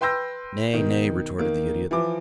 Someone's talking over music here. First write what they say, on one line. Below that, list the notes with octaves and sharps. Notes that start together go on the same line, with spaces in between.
"Nay, nay," retorted the Idiot.
B4 G5 C6 E6 G6 A#6
B2 D#3
D#3 A#3
E3 F3 D6